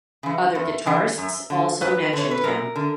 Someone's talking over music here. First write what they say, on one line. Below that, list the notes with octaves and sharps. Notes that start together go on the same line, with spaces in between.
Other guitarists also mentioned him.
C#3 E3
E2
C#3 E3
F#2
D3
F#2 B4
D3 C#5
B4
F#2 A#4
D3